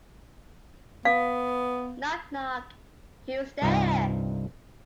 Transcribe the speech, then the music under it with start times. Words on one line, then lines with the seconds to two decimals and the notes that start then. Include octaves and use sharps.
Knock Knock, Who's There?
1.05 B3 F5
3.62 C2 G2 D#4 F4 G5